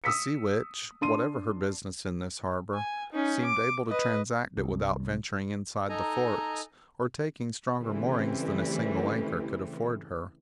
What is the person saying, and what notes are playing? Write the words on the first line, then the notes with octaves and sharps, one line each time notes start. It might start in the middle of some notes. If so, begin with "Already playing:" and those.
The "Sea Witch," whatever her business in this harbor, seemed able to transact it without venturing inside the forts, or taking stronger moorings than a single anchor could afford her.
D#6 E6 B6 C#7
D4 C6 D#7
G#5
C#4 D#4
D6
B4 D#5
C2
D#4 A4 D#5 G#5 A#5
C#3 E3 G3 A3 C4